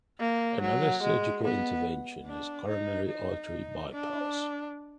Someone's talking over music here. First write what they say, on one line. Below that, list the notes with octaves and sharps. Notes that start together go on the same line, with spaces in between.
Another surgical intervention is coronary artery bypass.
A#3
F#3
G#3
B3
D4
D#4
D#4
D4